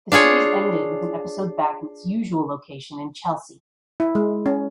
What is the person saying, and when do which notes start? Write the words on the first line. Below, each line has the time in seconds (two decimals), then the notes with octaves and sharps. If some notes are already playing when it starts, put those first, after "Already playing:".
The series ended with an episode back in its usual location in Chelsea.
0.12 D4 F4 G#4 C#5
4.00 E4
4.15 G#3
4.46 C#4